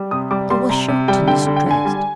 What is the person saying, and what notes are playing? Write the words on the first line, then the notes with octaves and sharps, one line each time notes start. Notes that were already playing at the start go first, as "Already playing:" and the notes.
I was shocked and distressed.
Already playing: G3
C3 D#6
G3 D6
G3 C6
C3 A#5
C3
G3 G5
D3 G5
G5
D3
G5
D3 G#5
G3